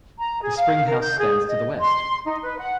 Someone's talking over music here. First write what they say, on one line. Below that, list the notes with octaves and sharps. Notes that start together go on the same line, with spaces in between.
The spring house stands to the west.
A#5
G#4
F5
A#4
G6
G#4
D#5
C6
D#4
B4
F#5